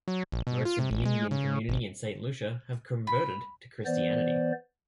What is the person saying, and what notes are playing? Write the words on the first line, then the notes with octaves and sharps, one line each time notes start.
Most of the Indian community in Saint Lucia have converted to Christianity.
F#3
A#1
B2
F4
C3
A1
G#3
C#3
G#1
B5
E3 B3 C5 D5